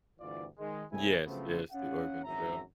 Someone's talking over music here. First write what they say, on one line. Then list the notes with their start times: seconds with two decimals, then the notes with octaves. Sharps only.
Yes, yes. The Oregon Trail.
0.20 G1 D2 E3 F4 D5
0.59 D#3 G#3
0.92 C2 A2 A#3 E4 G#4 G#5
1.26 C#3 F3 F#3 A3 B3 C4
1.72 C#4 F5 F#5
2.24 G#1 F#2 E3 E5 A#5